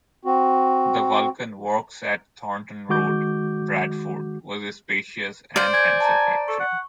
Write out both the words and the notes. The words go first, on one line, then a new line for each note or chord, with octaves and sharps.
The Vulcan Works at Thornton Road, Bradford was a spacious and handsome factory.
C4 F#4
D#3 G#3 F#4 D6 G6
C5 D5 F5
G#5 G6 G#6
A5 A#5
A4 C#6
F#5